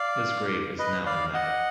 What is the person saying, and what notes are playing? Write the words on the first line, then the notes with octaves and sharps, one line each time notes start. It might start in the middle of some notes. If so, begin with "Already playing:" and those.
His grave is now in Mecca.
Already playing: D5 F5
B4 D#5
D5 F5
D#5 F#5